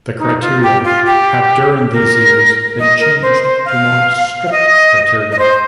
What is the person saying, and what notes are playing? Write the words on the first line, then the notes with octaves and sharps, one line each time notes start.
The criteria have during these years been changed to more strict criteria.
D#4
F4
G4
F4
G4
A#4
D#5
A#4
C5
C5
F5
F5
D#5
D#5
C5